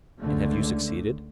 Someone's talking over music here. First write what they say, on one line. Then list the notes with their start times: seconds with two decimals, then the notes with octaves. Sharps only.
"And have you succeeded?"
0.21 C#2 D3 A3